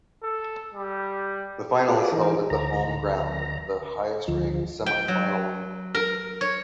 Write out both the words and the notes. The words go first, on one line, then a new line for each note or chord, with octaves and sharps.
The final is held at the home ground of the highest ranked semi-final winner.
A4
G3
F4 F#4 G#4 B4 D5
E3 D#4 A#4
D2 A#5
D2 F3
G5
F#3
A#4
C#5